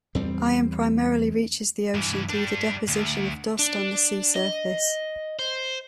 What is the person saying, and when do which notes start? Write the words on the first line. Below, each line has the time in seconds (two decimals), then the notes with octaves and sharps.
Iron primarily reaches the ocean through the deposition of dust on the sea surface.
0.15 E2 G3 C4
1.95 G2 E3
2.29 G3 D4
2.88 D2
3.59 D4
4.36 D#5
5.39 C5